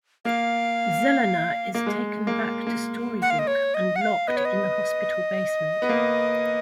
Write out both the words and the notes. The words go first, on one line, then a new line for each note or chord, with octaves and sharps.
Zelena is taken back to Storybrooke and locked in the hospital basement.
A#3 F5
A#3
G#3
A#3
A#3
F#5
F5
D#5
C#5
D#5
F#5
F5
B3 D#5
C#5
D#5
B3
A#3